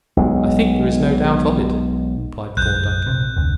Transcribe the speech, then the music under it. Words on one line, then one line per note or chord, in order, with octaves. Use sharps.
"I think there is no doubt of it," replied Thorndyke.
B1 G#3
F#1 B1 F#6 G6
A#1 C3
F1 D2